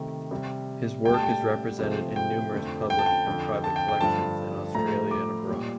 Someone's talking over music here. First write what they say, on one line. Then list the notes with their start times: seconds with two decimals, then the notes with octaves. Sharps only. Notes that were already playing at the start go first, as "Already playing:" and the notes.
His work is represented in numerous public and private collections in Australia and abroad.
Already playing: C3 D#3 A3
0.31 C3 G3
1.05 A2 G3 G5
1.14 A5
1.23 G5
1.79 C3 F3 A3
2.16 G5
2.53 F2 D3 A3
2.90 G5
2.99 A5
3.06 G5
3.26 F2 D3 F3
3.64 A5
3.76 G5
3.88 G5
4.00 G2 D3 F3 A3 A5
4.75 A2 F3 A3 A#5
5.11 D6
5.48 A#2 G3